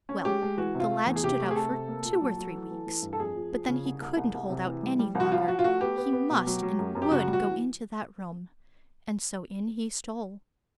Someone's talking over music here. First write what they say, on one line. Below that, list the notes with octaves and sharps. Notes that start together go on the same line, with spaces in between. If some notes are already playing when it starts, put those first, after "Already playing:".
Well, the lad stood out for two or three weeks, but then he couldn't hold out any longer; he must and would go into that room, and so in he stole.
C#4
G#3 G4
G#3
E3 F#4
C3 F4
A3
E2
G#4
C3 G4
A3
G#4
C3 A4
C3
A#3
A#2
F#3
F#3
E3
E3
E3
G2
A4
F2 G#4
F3
F3
C#3
C2
C2
C2
C2
C3
E3
G3
G3
C2
F#4
F3 F4
F3 F#4
F4
A3 F#4
B3 G4
B3
B3
B2
F#3
F#3
F#2
F#2
G4
C#3 F#4
G3
F#4
E3